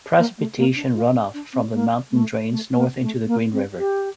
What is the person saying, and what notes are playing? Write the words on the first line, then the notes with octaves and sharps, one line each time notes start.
Precipitation runoff from the mountain drains north into the Green River.
A#3
A3
A#3
D4
F4
D#4
D4
C4
A#3
A3
A3
A#3
A3
A#3
C4
G4